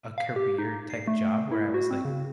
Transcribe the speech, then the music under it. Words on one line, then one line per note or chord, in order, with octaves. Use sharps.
a career-type job where I was like,
F5
G4
D#4
C7
A3
E4
F#4
C4
C#3